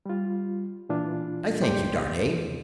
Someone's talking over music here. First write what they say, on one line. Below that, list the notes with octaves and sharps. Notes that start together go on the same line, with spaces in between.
I thank you, Darnay.
G3 F4
A#2 E3 D4 F4
C2 A#2 G4 D5 C6 G6
E2